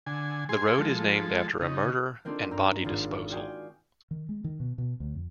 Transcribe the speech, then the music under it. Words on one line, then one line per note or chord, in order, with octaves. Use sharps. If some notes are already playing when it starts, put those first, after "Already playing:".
The road is named after a murder and body disposal.
D3 G#5
G#4 G#5 C6
F3 G#3 A4
C#3 D#4
A#3 C4 D4 D#4 F4 A4
G2 C4 A#5 E6
G#1 F4 A6
F4 F#4 D5 G5 G#5 D#6
D#3
G#3
D#3
B2
B2
D2
F2